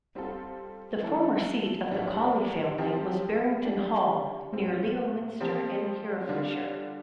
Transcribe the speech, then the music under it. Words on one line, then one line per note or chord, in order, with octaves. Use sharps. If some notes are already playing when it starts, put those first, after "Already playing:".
The former seat of the Cawley family was Berrington Hall near Leominster in Herefordshire.
G3 C4 F4 A4
E3 A3 E4 A4
A2 G3 D4 G4
F3 C4 G4
G3 D4 G4
A2 G3 C4
F3 C4 G4
D3 G3 D4 F4